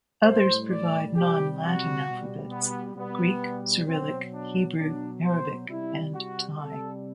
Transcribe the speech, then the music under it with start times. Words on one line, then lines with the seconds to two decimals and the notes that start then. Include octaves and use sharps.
Others provide non-Latin alphabets: Greek, Cyrillic, Hebrew, Arabic and Thai.
0.24 A2 G3 C5
0.70 D5
1.14 C3 G3 G4
1.61 F#4
2.05 B2 G3
2.51 B3
2.96 B2 G3 B3
3.87 B2 F#3 C4
4.32 D4
4.78 B2 F#3 D4
5.23 C5
5.68 C3 G3 E4
6.14 F#4
6.59 C3 G3 A4